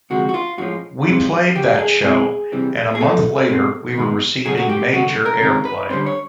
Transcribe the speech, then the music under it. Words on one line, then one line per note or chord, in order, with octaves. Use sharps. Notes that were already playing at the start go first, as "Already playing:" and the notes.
We played that show, and a month later we were receiving major airplay.
D2 C3 F3 G#3 F#4
F#4
F4
A2 F3 G#3 C#4 F4 F#4
C3 E3 G#3 C4 F4
C#2 C#3 F#3 G4
A4
G#4
B2 G#3 C4 E4 G#4
C3 E3 G3 C4
G#4
C2 A#2 F3 A3 A4
B2 G#3 C4
G#2 D#3 G#3 B3 D#4
C#3 F#3 A3 C#4 G#4
F#4
G4
D#2 C#3 F#3 A3 F#4
A#4
C3 D#3 G#3 C#4 F4 A#4
B4
D3 G3 A#3 C#4 C5
C#5